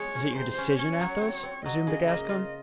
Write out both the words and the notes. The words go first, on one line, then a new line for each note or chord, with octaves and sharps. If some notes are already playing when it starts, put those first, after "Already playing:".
"Is it your decision, Athos?" resumed the Gascon.
Already playing: G#3 C#5
C#4
C3 C5
C#4
C#4 C#5
F#3
C4
C4
F#3 D#5
C#3
A#3
F4